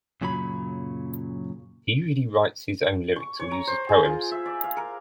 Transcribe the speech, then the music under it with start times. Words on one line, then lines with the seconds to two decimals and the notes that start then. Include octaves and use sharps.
He usually writes his own lyrics or uses poems.
0.21 F#2 A#2 C#3 F#3 B5
3.16 C#6
3.39 C#5
3.51 A#5
3.67 C5
3.89 G#4
4.05 F4
4.31 E5
4.46 D5
4.64 F5
4.77 A#4